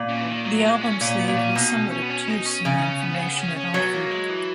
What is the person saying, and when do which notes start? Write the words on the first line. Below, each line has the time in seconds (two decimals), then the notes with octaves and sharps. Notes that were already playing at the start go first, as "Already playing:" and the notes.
The album sleeve was somewhat obtuse in the information it offered.
Already playing: A#2
0.09 C#3
0.21 E3
0.27 D#3
0.45 F#3
0.64 G#3
0.81 C#4
1.01 A#2 C#4
1.19 B3
1.28 A#2
1.37 C#4
1.55 B2 D#4
1.74 C#4
1.91 C#4
2.02 B3
2.10 C#4
2.28 D#4
2.46 C#4
2.65 C#3
2.78 D#4
2.83 C#4
3.01 B3
3.14 C#4
3.19 B3
3.37 C#4
3.56 C#4
3.73 F#3 B3
3.93 A#3
4.11 G#3
4.29 E3